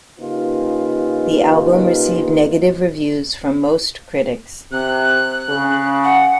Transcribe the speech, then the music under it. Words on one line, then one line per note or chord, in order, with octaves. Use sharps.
The album received negative reviews from most critics.
C#3 A#3 D#4 F4 G4 B4
C3 F#6
C#3
F#5